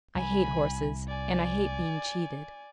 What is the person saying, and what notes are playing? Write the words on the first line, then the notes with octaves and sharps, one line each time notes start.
"I hate horses, and I hate being cheated."
C2 G#5 B5
D5 G#5